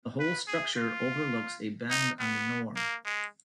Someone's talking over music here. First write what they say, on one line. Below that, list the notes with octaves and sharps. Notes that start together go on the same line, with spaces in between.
The whole structure overlooks a bend on the Nore.
B4
G#4
F4
D#4
B3
A#3
G#3